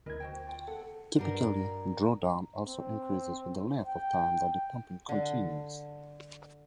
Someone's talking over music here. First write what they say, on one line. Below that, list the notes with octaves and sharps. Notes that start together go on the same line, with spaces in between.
Typically, drawdown also increases with the length of time that the pumping continues.
D2 E4 A#4 D#5 G#6
F#4 C5 G5
F4 G5
A4 F#5
G2 F#4 A#4 A#5
C4
G5
D3